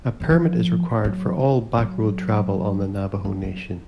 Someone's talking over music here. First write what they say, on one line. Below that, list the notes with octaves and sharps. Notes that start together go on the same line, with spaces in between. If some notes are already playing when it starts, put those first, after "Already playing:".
A permit is required for all backroad travel on the Navajo Nation.
E3
F3
F#3
F#3
F#3
F#3